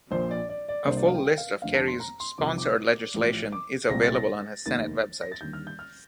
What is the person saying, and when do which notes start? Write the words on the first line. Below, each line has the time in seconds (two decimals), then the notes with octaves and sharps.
A full list of Kerry's sponsored legislation is available on his Senate web site.
0.11 A#1 A#2 F3 C5
0.31 D5
0.49 D5
0.68 D5
0.87 C2 C3 G3 A#3 D4 C5
0.97 D5
1.06 F5
1.15 G5
1.25 G5
1.38 F5
1.62 F1 F2 D3 A3 D4 F5
1.75 A5
1.88 C6
2.00 A#5
2.20 C6
2.38 C2 C3 F3 C4 D#4 D6
2.58 D6
3.14 A1 A2 F3
3.52 D6
3.89 C2 A#2 A3 C4 A#6
4.03 A6
4.15 A#6
4.66 F1 D#2 D#3 A#3 A6
5.22 A#6
5.32 A6
5.41 D#2 D3 G3 G6
5.53 F6
5.67 G6
5.79 F6